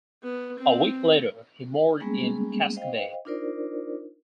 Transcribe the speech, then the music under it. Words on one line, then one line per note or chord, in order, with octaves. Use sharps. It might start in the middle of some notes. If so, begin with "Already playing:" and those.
A week later she moored in Casco bay.
B3
C4
G3 G#3 A#3 B3 C#4 G#4
C5 D#5 F5 G5
D4 D#4 F4 A#4 C5 D5